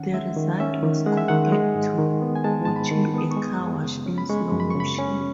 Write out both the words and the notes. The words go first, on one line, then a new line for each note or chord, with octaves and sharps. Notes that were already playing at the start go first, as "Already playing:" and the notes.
The result was compared to "watching a car crash in slow motion".
Already playing: D#3 C#4 F#5
G#3 E5
D#3
C#4 E5
D#3
G#3 F#5
E5
D#3 F#5
G#3
G#2
D#3
B3
G#5
G#3 A5
G#2 A5
B5
D#3
B3 D#6
C#6
G#3
D#6
F#2
C#3
C#4
B5
G#3 C#6
F#2
B5
C#3 C#6
B5
C#4